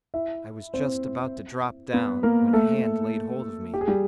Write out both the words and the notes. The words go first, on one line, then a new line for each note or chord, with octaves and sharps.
I was just about to drop down, when a hand laid hold of me.
E4 E5
C4 C5
B3 B4
A#3 A#4
A3 A4
G4
G#4
G3 G4